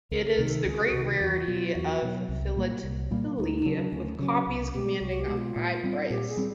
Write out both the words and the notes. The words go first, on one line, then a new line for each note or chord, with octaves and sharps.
It is the great rarity of philately with copies commanding a high price.
C#2 A#4
A#4
C3 D#3
A4
C#2 G#4
F#4
C3 D#3
E2 F#4
B2 F#3 F4
E2 F#4
B2 F#3
C2
A#2 G3 A#3
C2
A#2 G3 A#3
D2 D#4
D#4
C#3 F#3 D4
D2 C#4
C#3 F#3 C#4
C2
B2 G#3 G4
C2 F#4
F#4
G4
B2 G#3
F4
A#2
G3 C4
A#2 G4
G#4
G3 C4